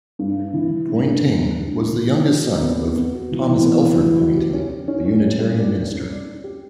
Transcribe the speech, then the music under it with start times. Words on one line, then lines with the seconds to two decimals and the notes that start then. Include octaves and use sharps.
Poynting was the youngest son of Thomas Elford Poynting, a Unitarian minister.
0.19 G2
0.37 D4
0.54 E3
0.71 E3
0.89 G2
1.06 D4
1.23 G2
1.40 G3
1.59 D4
1.75 G3
1.93 E3
2.10 E3
2.27 F#4
2.45 F#4
2.63 B3
2.79 B3
2.97 B3
3.14 F#4
3.32 E3
3.49 E3
3.66 B3
3.83 E3
4.01 E3
4.19 F#4
4.36 G4
4.53 C#4
4.70 C#4
4.88 C#4
5.05 C#4
5.23 G3
5.40 G3
5.57 D5
5.74 C#4
5.92 C#4
6.10 D5
6.27 C#4
6.44 G4